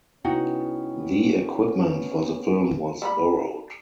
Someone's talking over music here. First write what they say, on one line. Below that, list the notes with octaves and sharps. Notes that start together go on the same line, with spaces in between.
The equipment for the film was borrowed.
C2 B3 C#4 D#4 E4 F#4 F#5 G5
G3 B4 B5